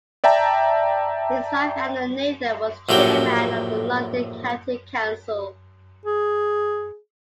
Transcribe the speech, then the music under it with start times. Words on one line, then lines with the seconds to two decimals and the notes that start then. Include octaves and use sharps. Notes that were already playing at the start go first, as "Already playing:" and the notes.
His wife Eleanor Nathan was Chairman of the London County Council.
0.24 D5 E5 G5 A5 A#5
2.89 A#1 A2 F#3 G4
6.06 G#4